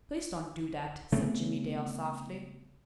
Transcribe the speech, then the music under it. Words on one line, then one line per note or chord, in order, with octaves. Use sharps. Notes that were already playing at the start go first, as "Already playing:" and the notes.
"Please don't do that," said Jimmie Dale softly.
C#3 A3 B3 C4